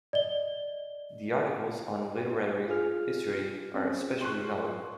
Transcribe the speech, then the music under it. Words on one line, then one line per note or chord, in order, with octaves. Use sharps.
The articles on literary history are especially valuable.
D5 D#5 G7
F4 G#4 F6
C4 C#4
C6 C#6 F#6